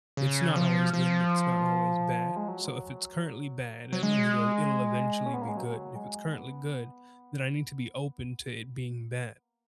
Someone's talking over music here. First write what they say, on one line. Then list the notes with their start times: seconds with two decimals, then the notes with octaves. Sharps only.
It's not always good, and it's not always bad. So, if it's currently bad, that means it'll it'll eventually be good. If it's currently good, then I need to be open to it being bad.
0.17 C#3
0.56 F3
0.94 F3
2.36 G#3
2.48 F#3
3.93 F#3
4.03 G#3
5.26 C#4
5.34 B3
5.42 A#3
5.49 G#3
5.57 F#3
5.95 G#3
6.33 B3
9.42 A#3